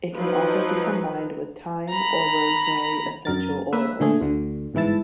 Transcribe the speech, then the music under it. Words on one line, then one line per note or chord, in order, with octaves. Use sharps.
It can also be combined with thyme or rosemary essential oils.
F3 F#3 D#4 B4
A#5 B5
F#2 A#4 A6
A#3 B4 E5
A#2 D3 A3 G#4
D2 D3
G1 G#2 E3 E4 A5